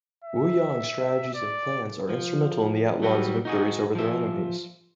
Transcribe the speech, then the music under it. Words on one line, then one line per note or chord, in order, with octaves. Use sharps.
Wu Yong's strategies and plans are instrumental in the outlaws' victories over their enemies.
E5
D5
F3
F#3 G3 F#4 B4
D#4 F#4 G#4
F3 E5